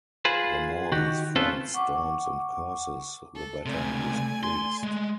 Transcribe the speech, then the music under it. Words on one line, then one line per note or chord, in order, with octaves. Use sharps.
The more his friend storms and curses, the better he is pleased.
F4 G#4 B4 C5
D#3 F#4 G4
C4 C#4 F4 A4 B4 C5
F#5 C#6 D6
A4
C#2 C3 A3 D5 G#5
C6
G#3